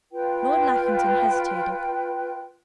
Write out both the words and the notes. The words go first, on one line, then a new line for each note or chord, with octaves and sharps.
Lord Lackington hesitated.
F4 B4 G5